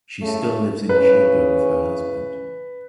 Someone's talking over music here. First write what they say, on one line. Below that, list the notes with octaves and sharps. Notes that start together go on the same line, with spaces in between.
She still lives in Schilda with her husband.
A2 C#3 A3
C#3 E3 C#4 B4